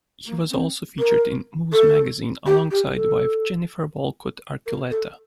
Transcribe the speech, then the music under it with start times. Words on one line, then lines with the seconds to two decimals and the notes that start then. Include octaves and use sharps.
He was also featured in "Moves" magazine, alongside wife Jennifer Walcott Archuleta.
0.25 A#3
0.50 C4
0.99 A#4
1.72 A4
2.46 G4
2.70 G4
2.94 A4
4.66 A#4
4.90 A4